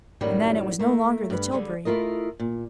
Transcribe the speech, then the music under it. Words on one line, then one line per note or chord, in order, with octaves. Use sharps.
And then, it was no longer the tilbury.
F#2 A2 D#3 F#3 G3
A3 A#3
G2 B4
D3 G3 G#3
A3 E4 F4 A#4 D#5
A#2